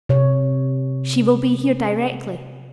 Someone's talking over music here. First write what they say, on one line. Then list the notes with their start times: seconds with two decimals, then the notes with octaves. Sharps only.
"She will be here directly."
0.09 C3 C#5